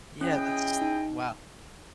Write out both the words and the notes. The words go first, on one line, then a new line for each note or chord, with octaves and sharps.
Yeah, that's wow.
C#4 E4 G#4 D#5 G5
D#4